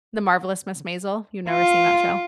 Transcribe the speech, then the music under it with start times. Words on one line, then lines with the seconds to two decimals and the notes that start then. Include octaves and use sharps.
"The Marvelous Mrs. Maisel"? You've never seen that show?
1.50 F4